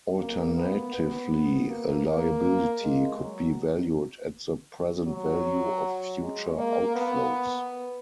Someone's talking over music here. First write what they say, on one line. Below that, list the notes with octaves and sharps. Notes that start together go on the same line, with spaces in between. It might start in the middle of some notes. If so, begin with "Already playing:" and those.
Alternatively, a liability could be valued at the present value of future outflows.
A#3
B3
B3
A#3
A#3
G#3
F#3
F#3
G#3
A#3
B3